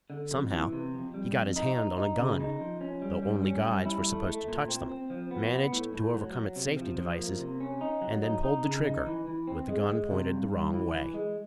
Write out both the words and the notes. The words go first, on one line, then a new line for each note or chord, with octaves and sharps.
Somehow, he got his hand on a gun, though only guides were supposed to touch them, managed to overcome its safety devices, and then pulled the trigger with the gun pointed the wrong way.
D3
F2
E3
C3
F2
G3
F2
D#4
D#4
D#4
C#3
D#4
F3
C#4
G3
G3
C#4
G3
E4
A3
A3
A#2
C4
C4
F3
B3
B3
A2
A2
F#3
F#3
C3
F3
F3
A#3
C3
C#4
D#4
F#3
D#4
D#4
C#3
D#4
E3
E3
C4
G#3
G#3
C3
G2
G2
E3
E3
G#3